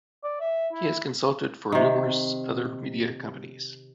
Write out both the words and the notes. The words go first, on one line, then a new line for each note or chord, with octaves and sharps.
He has consulted for numerous other media companies.
D5
E5
E4
C3 D#3